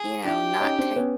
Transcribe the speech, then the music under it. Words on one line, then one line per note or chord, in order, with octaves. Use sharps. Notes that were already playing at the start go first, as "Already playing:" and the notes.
you know, not take
Already playing: G#4
D4 E4 G4
C#4 D#4
C4 D4
B3 C#4